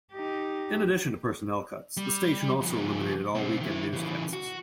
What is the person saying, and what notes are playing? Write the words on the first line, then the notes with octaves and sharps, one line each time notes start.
In addition to personnel cuts, the station also eliminated all weekend newscasts.
D#4 G4
G3
C#3 F3
B1 C4
D#3 E4
C#3 E3
F#4